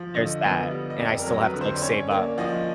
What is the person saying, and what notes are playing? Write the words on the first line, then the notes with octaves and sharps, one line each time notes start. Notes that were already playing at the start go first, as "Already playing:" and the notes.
there's that, and I still have to, like, save up.
Already playing: F3
D3 D#5
B3
G3
D#5
F2 D5
A#4
F#3
B4
D3
C5
D5
C#4 C#5
A#3 D5
F3 D#5